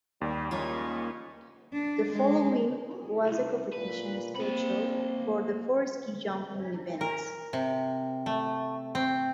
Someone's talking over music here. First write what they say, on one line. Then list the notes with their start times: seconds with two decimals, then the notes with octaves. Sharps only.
The following was the competition schedule for the four ski jumping events.
0.21 D#2 G3
0.51 G3 G#3 A#3 C#4 F4 C#5
1.73 D4
2.13 G#3
3.27 C2
3.73 A#2 B4
4.36 A#3 C4 B5
7.01 A#4
7.53 C3
8.26 A3
8.95 C4